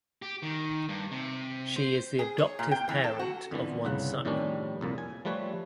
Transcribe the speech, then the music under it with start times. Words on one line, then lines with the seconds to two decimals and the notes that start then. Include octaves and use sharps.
She is the adoptive parent of one son.
0.22 G4
0.43 D#3
0.89 G2
1.11 C3
1.76 C5
2.19 G#4
2.38 C#5
2.59 A#2
2.71 G5
2.89 E3
3.04 A4
3.19 F#4
3.51 F2 D3 E3 B3
3.85 G1 C2 C#3 F#5
4.25 F2 A2 D#3 G3 C#4 D4
4.81 C2 F2 A#2
4.98 G#5
5.25 F3 G3 A3 B4 C#5